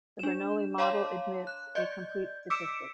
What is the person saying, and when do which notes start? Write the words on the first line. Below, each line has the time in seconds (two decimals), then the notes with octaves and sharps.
The Bernoulli model admits a complete statistic.
0.19 D4 E7
0.78 C#5 F5 A5 A#5 C6 D6
1.47 F#6
1.75 D5 D#5 G6
2.50 D6 E6 B6 C#7 D7 E7